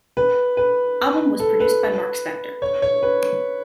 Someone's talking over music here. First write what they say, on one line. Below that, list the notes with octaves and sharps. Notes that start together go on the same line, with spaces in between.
Album was produced by Mark Spector.
B4
B4
A4
B4
C#5
C#5
B4